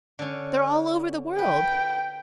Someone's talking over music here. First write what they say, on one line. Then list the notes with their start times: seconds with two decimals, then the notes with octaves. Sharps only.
They're all over the world.
0.19 D3 C#4
1.39 B4 G5